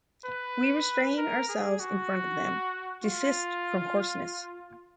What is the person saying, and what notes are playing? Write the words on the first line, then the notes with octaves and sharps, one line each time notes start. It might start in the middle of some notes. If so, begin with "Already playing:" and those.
We restrain ourselves in front of them, desist from coarseness.
B4
A#4
G#4
F#4
F4